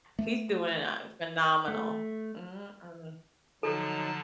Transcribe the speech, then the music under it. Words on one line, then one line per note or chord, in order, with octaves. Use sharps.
He's doing, uh, phenomenal. Mm, mm.
A3
A3
D3 F3 F#3 D#4 A4 A5